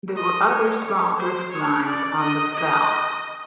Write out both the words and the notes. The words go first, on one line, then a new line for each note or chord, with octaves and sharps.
There were other small drift mines on the fell.
D#5
C#5
C5
C#5
D5
D#5
D#5